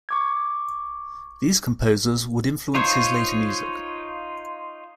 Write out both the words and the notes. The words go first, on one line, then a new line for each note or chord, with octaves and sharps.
These composers would influence his later music.
C#6 D6 G#6
D#4 F4 C5 C#5